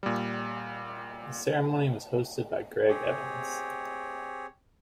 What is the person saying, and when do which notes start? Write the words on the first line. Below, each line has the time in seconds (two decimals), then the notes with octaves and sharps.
The ceremony was hosted by Greg Evans.
0.03 A#2 G3
2.88 C4 G4 G#4 C#5